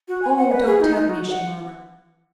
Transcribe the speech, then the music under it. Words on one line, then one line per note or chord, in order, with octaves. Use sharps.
"Oh, don't tempt me!" she murmured.
F#4
G#5
F#5
B4
G#4
D#4
D#4
F#4
F#5